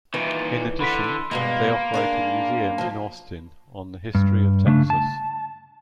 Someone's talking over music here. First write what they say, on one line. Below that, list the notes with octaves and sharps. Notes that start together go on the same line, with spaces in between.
In addition, they operate a museum in Austin on the history of Texas.
A#2 D#3 E3
D3 B5 C6 B6
G2 B2 G#3 A#3
D4 G#4 A#4
F3 F#3 A5
G2
C#3 A3 D4
A5